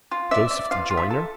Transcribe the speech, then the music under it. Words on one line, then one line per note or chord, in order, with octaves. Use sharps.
Joseph the Joiner?
F4
D5 E5
D5
F4 F5
F4
E5
A4